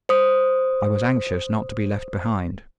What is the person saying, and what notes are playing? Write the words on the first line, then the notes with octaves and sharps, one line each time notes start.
I was anxious not to be left behind.
C5 D#6